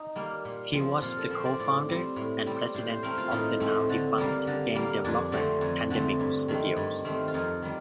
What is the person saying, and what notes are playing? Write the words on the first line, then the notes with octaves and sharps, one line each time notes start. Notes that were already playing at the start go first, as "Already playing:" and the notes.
He was the co-founder and president of the now defunct game developer Pandemic Studios.
Already playing: D#4
G3 A#3
A#2
F3 C4
A#2 F4
A4
F3 C4 C5
D5
A2 D5
G3 C4
A2
G3 C4
A2 C5
C5
A3 C4 A#4
F4
A2 D#4
A3 C4
D3
G3 A#3
D3
G3 A#3
F2 D4
D3 A3 C4
F2
D3 A3 C4
G2
D#3 A3 C4
G2
D#3 A3 C4
F4
F2 D#4
D#3 G3